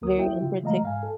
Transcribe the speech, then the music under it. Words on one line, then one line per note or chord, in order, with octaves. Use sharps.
very unpretic
D2 A#3 A#4 D#6
E4 F#4 E5 G5
C#3 F4
E3 G#3 A3 D#5 F5 A#5
G#2 F5 G#5
A4